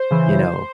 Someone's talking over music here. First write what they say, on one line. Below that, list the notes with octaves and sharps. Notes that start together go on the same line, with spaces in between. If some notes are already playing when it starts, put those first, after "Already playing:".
you know,
Already playing: C5
C#3 E3